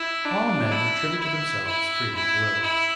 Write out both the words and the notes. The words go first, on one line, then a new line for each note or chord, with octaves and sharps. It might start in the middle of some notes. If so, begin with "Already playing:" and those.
All men attribute to themselves freedom of will.
Already playing: E4
D4
E4
E4
E4
E4
E4